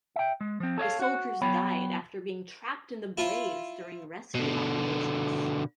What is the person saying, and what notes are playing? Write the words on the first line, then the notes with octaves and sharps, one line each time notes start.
The soldiers died after being trapped in the blaze during rescue operations.
E5 G5
G#3
F3 C4
A4 C#5 D#5 F5
F#4 F#5
F#3 B3 C#5 G5 B5
E4 F4
B2 D3